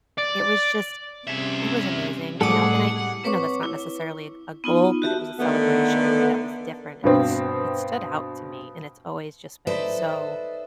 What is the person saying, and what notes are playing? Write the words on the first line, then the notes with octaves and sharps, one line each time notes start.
It was just it it was amazing, you know, and I I know that's not necessarily a g a goal, but it was a celebration that was different, and it's it stood out to me, and it's always just been so
D5
C3 G3 C#4 G#4 E5
A2 G3 G#3 G#4 A4 F#5 G#5 D6
C4 B4 C#5 C#6 D6
E4
B3 D#4 F4
F#4 G4 E5 A5
D3 D#3 A3 B3
G2 B2 C4
D#4 A4 B4 C5 D5 E5